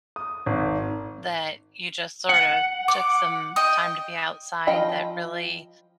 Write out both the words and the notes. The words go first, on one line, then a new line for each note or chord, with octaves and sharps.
that you just sort of took some time to be outside that really
D#6
G#1
F#5
D6
D#5 G5
F3 D#5 G5 B5